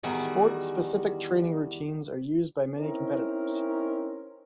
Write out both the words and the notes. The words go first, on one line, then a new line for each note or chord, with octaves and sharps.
Sport-specific training routines are used by many competitors.
E2 D#3 G3 F#4 G#4
C4 C#4 D#4 E4 A#4